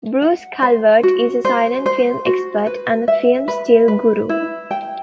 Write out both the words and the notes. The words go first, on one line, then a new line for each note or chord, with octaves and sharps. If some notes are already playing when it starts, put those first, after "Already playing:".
Bruce Calvert is a silent film expert and a film-still guru.
F#5
C5
F#4
C5
C5
F#4
B4
E5
B4
B4
E4
G5